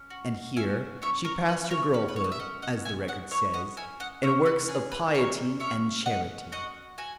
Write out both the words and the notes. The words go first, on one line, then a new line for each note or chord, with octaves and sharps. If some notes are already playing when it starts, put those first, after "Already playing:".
And here she passed her girlhood, as the record says, "in works of piety and charity."
Already playing: C#4
F#4
C#4 E5 G#5
C#4 C#5 E5
A#4 C#5
C#4 B4 D#5
B4
A#4 C#5
C#4 B4 D#5
B4
C#5
D#5
E5
C#4 D#5 F#5
D#5 F#5
C#4 E5 G#5
D#5 F#5
E4 C#5 E5
D#5 F#5
C#4 E5 G#5
D#5 F#5
C#4 C#5 E5
B4 D#5
G#4 B4
B4
C#4 A#4 C#5
C#4 C#5 E5
C#4 D#5 F#5
F#4 D#5 F#5
F#4 E5 G#5